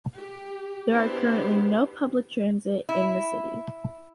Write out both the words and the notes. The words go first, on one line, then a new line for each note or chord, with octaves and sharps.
There are currently no public transit in the city.
G4
B3 D4 E4 G4 C5
E4